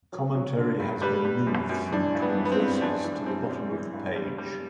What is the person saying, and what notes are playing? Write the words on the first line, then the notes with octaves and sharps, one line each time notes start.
Commentary has been moved from between verses to the bottom of the page.
F#3
F#3
D3
G2
G3 B4
G3
F#2
F#2
E3 D4
G2
B3
E3
B3
C4
G2
F#2 D4
E3
G3 C4
F#2
E3
G2
G3
G3